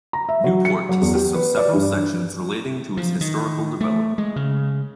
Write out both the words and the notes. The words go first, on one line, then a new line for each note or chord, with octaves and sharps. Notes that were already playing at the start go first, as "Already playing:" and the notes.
Newport consists of several sections relating to its historical development.
A#5
E5
F#3
C#7
F#3
E2
G4
B4
D5
G2
F3
D#3
A3
G#3
C#3